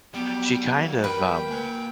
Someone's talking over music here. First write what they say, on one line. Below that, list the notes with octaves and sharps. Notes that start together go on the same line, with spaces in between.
she kind of, um,
F#3 G3 B3 G4
A#3
A#4 B4 G5
A#3 G#5